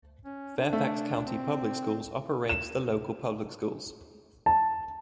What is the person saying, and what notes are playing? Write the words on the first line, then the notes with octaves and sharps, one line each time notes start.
Fairfax County Public Schools operates the local public schools.
C#4
D4
A3
C4
E7
A5